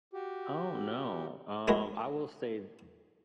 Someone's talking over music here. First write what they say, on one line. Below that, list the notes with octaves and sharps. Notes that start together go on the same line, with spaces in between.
I don't know. Um, I will say
F#4 G4
G#3 E4 F#4 A#4